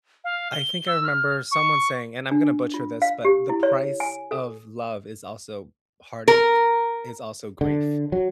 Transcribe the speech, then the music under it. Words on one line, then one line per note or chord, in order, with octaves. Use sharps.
I think I remember someone saying, and I'm gonna butcher this, but "The price of love is also heartache, is also grief."
F5
G7
E6
F6
C#6
D4
F4
F5
G4
E4
C#5
G#5
A4
A#4
D3
F#3